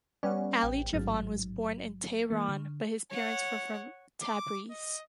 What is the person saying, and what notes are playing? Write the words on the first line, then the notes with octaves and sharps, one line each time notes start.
Ali Javan was born in Tehran, but his parents were from Tabriz.
G3 B3 C#4 D5 F#5
A1 G5
A1 G#2 F#3
E3 A#3
D3
C#5 F#5
D6
D#5